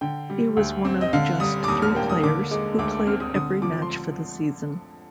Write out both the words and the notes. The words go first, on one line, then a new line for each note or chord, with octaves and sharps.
He was one of just three players who played every match for the season.
D3 G5
G3
D2
C4
D#5
D3 F5
G3 D#6
D6
D#2 D#6
F6
A#3 G5
D#6
D3 D6
G#3 D6
D2 D6
D6
C4 F6
D#6
D3 D#6
F3 D6
C6